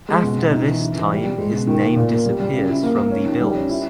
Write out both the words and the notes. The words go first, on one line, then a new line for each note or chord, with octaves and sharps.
After this time his name disappears from the bills.
G#3
B2
B2
D#4
E3
E3
E3
G3
G3
G#3
B2
D#3
A#3
A#2
A#3
G3
G3
C#3
E4
A#3
A#3
C#4
D#3
G3
C#4
E4